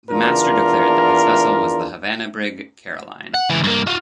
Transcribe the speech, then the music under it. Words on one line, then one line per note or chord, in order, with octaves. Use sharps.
The master declared that his vessel was the Havana brig "Caroline".
E2 D4 F4 A#4
F#5
C#2 E3
G2 A#3
F4 F#4